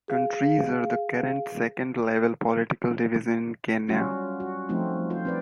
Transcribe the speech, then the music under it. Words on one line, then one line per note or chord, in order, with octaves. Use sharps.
Counties are the current second level political division in Kenya.
G#4 F5
F#3 G3 C#4 F4 F#4
F#4
F3 A3 C4 D#4 F4
F4 C5
C4 B4 D5